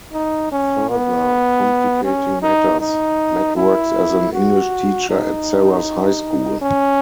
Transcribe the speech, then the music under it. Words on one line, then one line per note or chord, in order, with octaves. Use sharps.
Further complicating matters, Matt works as an English teacher at Sarah's high school.
D#4
C#4
B3
C#4
D#4
D#4
E4
F#4
D#4
C#4